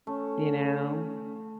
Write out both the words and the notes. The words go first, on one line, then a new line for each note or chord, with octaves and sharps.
you know,
A3 C#4